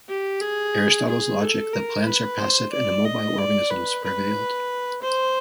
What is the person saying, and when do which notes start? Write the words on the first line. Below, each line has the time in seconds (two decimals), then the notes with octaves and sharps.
Aristotle's logic that plants are passive and immobile organisms prevailed.
0.09 G4
0.41 G#4
1.08 G#4
1.41 A4
1.73 A#4
2.06 B4
2.39 C5
2.72 D5
3.05 D#5
3.38 D5
3.71 B4
4.04 B4
5.03 C5